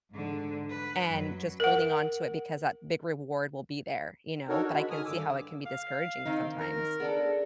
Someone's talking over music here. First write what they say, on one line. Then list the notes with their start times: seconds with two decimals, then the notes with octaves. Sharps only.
and just holding on to it because that big reward will be there, you know? But I can see how it can be discouraging sometimes.
0.11 G#2 D3
0.70 B4
1.07 F#2 F#3
1.60 A#4 F#5
4.49 D4 D#4 F#4 A4 A#4 C#5
4.70 G#3 F#4 B5
4.90 D#3 G#5 D#6 F6
5.05 G2 D3 D6 E6
5.66 F5
6.25 D#3 C4 D#4
6.60 A#4
7.00 B3 D4 G#4 A4 D5